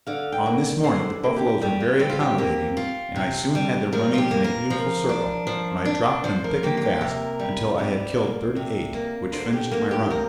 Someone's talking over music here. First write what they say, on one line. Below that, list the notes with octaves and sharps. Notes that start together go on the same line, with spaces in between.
On this morning the buffaloes were very accommodating, and I soon had them running in a beautiful circle, when I dropped them thick and fast, until I had killed thirty-eight; which finished my run.
D3 F5
G5
A#3
D5
D3 C5
A#3
G4
G3 G4
F4
C4 G4
F4
G4
A#3 G4
F4
C3
G3
F3 A#4
F4
G4
A#3
A#4
F3
D4
F3
D4
F3 C5
A#4
A#3 G4
F4
G4
C3 A#4
G3
G3 D5
A#3
C3
A#3
D3 C5
G4
A#3
G4
C3 A#4